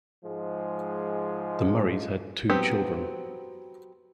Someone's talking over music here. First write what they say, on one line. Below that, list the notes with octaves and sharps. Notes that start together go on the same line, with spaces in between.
The Murrays had two children.
G#2 F3 G#3
F#3 B3 C4 G4